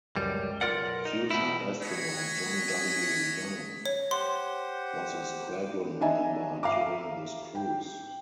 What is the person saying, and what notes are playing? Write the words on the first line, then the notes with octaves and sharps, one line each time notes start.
Future astronaut John W. Young was a squadron member during this cruise.
C#2 F#2 G3
B1 F2 F4 A#4 D5 F#5
D#4
B2 E4
C#5 D#5 F#5 G#5 B5
C#5
G4 C5 F#5 C6
C#3 D6
D4 D#4 D#5 E5 G#5 A#5
E5 F5 A#5 D6
G5